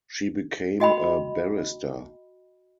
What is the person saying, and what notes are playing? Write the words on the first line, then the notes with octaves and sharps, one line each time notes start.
She became a barrister.
F#4 D#5 G5 B5